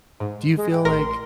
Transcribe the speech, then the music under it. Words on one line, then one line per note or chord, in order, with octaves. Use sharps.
Do you feel like
G#2
G#3
G5
A1 A#4 A#5 C6